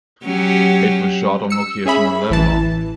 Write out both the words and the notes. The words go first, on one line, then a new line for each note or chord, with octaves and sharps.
It was shot on location in Lebanon.
F#3 C#4 G4
E6 C#7
C#4 G#4 E5 B5
A1 E3 A5